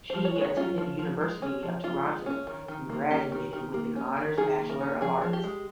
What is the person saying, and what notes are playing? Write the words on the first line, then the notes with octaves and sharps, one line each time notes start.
She attended University of Toronto and graduated with an Honours Bachelor of Arts.
F3 C5
C#5
G#3
C#5
C#4 F4
F3
F3
G#3
C#4
F3
F3 F4
G#3
C#4
D#3
D#3
A#3
C#4 G4
D#3
D#3
A#3
C#4
D#3
D#3 G#4
A#3
A#4
C#4
F3 G#4
F3
G4
G#3